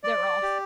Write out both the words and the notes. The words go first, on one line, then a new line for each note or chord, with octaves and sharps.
They're off.
D5
G4